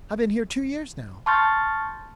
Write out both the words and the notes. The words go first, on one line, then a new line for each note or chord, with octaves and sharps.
I've been here two years now.
A5 C6 C#6 F6 G6 A6